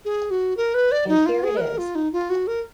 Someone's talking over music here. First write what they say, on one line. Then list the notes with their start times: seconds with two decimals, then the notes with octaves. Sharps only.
And here it is.
0.05 G#4
0.31 F#4
0.57 A#4
0.74 B4
0.92 D5
1.09 D#4
1.26 F4
1.44 G#4
1.57 B4
1.61 A#4
1.78 F4
1.95 D#4
2.13 F4
2.30 F#4
2.47 A#4